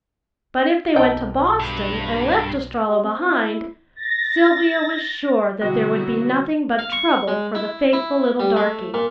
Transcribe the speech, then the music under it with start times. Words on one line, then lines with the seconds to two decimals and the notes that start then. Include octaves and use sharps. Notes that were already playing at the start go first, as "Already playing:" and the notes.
But if they went to Boston and left Estralla behind Sylvia was sure that there would be nothing but trouble for the faithful little darky.
0.96 B1 D#4 A4 G5
1.59 G2
2.88 G4
3.04 C4
3.28 E4
3.96 A6 A#6
5.61 B2 D3 F#3 G3 B3 E4 F#4
6.79 F5
6.92 C#6
7.28 G#3
7.55 E4
7.93 E4
8.40 G3
8.56 A3
8.94 A#2